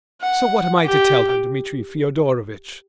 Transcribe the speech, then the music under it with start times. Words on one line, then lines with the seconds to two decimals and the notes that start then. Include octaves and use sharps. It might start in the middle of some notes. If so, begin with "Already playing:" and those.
So what am I to tell her, Dmitri Fyodorovitch?
0.21 F#5
0.86 G4